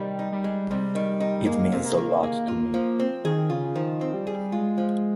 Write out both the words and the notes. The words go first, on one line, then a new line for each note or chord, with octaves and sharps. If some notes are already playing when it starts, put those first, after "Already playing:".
It means a lot to me.
Already playing: C3 D#3 G3
D#4
G3
G#3
C3 G3
D#3
D#4
G#3 A#3
C3
A#3
D#3
A#3 G#4
F4
F3
C4
D#3 G#4
C#3 F4
D#3 F3
C4
G3
G#4
G#3 F4
F3